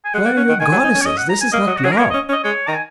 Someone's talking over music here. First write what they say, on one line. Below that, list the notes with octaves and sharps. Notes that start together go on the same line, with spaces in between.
Where are your goddesses? This is not love.'...
G#5
G#3 F#5
A#3
C#4
D#3
D#3 G#5
F#3
D#4
C#4
C#5
D#5
F#5
A#5
G#5
A#3 D#5
F#3
F#4
F#3 G#4
A#4
A#3 C#5
C#4 D#5
C#4
D#5
G#3 C#5
D#3 A#5
G#5